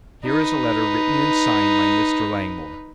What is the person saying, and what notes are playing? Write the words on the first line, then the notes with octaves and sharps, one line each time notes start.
Here is a letter written and signed by Mr. Langmore.
D#4 B4